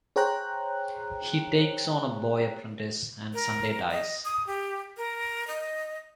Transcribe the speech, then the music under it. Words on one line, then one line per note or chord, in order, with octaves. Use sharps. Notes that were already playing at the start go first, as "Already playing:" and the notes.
He takes on a boy apprentice and Sunday dies.
G#4 C5 C#5 G5 A#5 F#6
A#4
D#5
D#6
G4
A#4
D#5